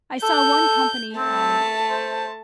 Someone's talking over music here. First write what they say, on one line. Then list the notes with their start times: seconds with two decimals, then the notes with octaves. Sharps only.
I saw one company, um,
0.23 A4 G6
1.17 A3 C4 A5
1.90 C5